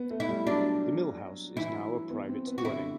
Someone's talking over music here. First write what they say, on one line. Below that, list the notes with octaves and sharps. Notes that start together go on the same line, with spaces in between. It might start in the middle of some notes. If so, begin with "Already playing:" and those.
The mill house is now a private dwelling.
Already playing: B3
A3
E4
G3
F#3 D4
E3 E4
B3
C4
B3
F#4
D3 E4